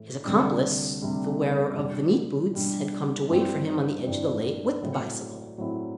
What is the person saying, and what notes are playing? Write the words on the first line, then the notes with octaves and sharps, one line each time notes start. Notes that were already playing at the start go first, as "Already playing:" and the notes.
His accomplice, the wearer of the neat boots, had come to wait for him on the edge of the lake with the bicycle.
Already playing: A2 E3 A3
D2 C3 G3 D4
D2 C3 G3 D4
B2 G3 D4
B2 G3 D4
G2 E3 G3 C4
G2 E3 G3 C4
A2 F#3 C4 E4
A2 F#3 C4 E4